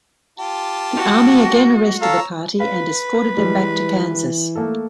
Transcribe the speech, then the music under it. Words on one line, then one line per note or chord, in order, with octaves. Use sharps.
The Army again arrested the party and escorted them back to Kansas.
F4 G4 A5
F#4
A4 C#5 F5 A#5 E6
B4 F5
E3 G3 G#3
A3 A#3 A4